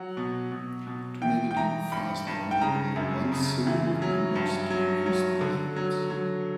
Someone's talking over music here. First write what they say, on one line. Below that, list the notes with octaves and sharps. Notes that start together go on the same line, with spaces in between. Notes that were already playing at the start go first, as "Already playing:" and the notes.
To make it even faster, I only allow one-syllable numbers to be used in labels.
Already playing: F#3 F#5
B2
B2
B2
E3 G5
G5
E3 A#5
G2 B5
G2
G5
C#3 A#5
F#2
C#3
E3
F#3
G2
F#3
F#3
D3
F#3
F#3